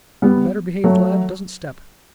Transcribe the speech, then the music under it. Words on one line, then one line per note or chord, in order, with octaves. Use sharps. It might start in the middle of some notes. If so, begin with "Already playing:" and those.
A better-behaved lad doesn't step.
G3 B3
F#3 A3